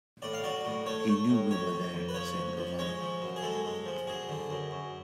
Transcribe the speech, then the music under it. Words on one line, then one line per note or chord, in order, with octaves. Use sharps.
"He knew we were there," said Lovano.
A2 D5
F5
F#3 D5
A2
A3 C#5
A3
A2
F2 C#5
F2
F2
B4
F3 C#5
F2
F3
G#3 C#5
F3
F#2
G#4
G#3 A4
G#3
F3
F#2 G#4
D3
F#2
F#2